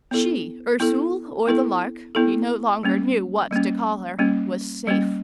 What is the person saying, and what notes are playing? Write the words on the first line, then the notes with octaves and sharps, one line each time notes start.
She, Ursule or the Lark, he no longer knew what to call her, was safe.
B3 E4 A4
B3 E4 A4
B3 E4 A4
B3 E4 A4
G3 A#3 C#4
G3 A#3 C#4
G3 A#3 C#4
G3 A#3 C#4